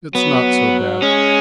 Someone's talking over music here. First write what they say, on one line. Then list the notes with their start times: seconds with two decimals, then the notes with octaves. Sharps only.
It's not so bad.
0.14 F#3 B3
1.02 G#3 C#4